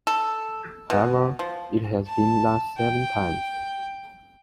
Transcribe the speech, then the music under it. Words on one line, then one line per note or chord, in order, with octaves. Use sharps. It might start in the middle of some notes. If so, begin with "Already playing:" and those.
However, it has been last seven times.
A4
B2
F3
A5
G5